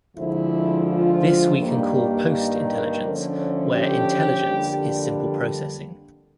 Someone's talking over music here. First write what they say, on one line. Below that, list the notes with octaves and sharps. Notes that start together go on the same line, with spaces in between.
This we can call "post-intelligence" where "intelligence" is simple processing.
D2 D3 F3 G#3 C4 E4
F4
G2 D#3 G3 A#3
D3 F3 A3 C#4
G4
F2 D3 G3 A#3 D4